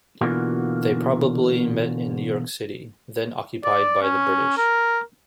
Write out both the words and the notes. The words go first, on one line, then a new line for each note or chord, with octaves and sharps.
They probably met in New York City, then occupied by the British.
B2 D3 E3 A#3 F4 F#4
D5
C#4
A#4